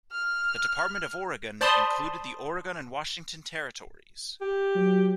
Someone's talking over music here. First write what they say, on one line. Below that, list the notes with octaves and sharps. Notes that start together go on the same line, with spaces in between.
The Department of Oregon included the Oregon and Washington Territories.
F6
C5 D5 A5 B5 C6 D#6
G4
F#3